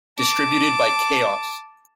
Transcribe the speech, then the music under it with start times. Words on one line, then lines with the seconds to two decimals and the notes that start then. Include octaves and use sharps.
Distributed by Chaos!
0.19 A5 D6